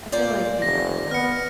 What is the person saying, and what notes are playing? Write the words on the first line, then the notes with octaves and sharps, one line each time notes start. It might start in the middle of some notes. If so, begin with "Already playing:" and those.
I feel like you never know.
A#2 A#3 C5 D5
F1 A#6
B3 F6 C#7